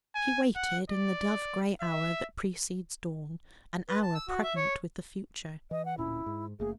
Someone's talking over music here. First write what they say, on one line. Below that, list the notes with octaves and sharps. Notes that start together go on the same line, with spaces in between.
She waited in the dove-grey hour that precedes dawn--an hour pregnant with the future.
G#5
F#5
D5
E5
B4
A5
E6
F#4
E5
C#5
E3 D#5
F#5
D1 A#2 C#4 E4
G#2
F#1 A3 A#3 G#4